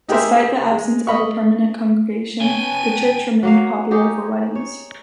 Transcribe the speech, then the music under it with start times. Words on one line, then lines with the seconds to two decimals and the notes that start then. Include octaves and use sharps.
Despite the absence of a permanent congregation, the church remained popular for weddings.
0.08 D#4 G4 G#4 A#4 C5 E5
0.71 G#3
1.07 D#5 B5 C#6
2.41 B3 C#4 G5 G#5 D#7
3.43 F#3 A#3 F5
3.91 D#4 G4 G#4 C#5
4.55 C#5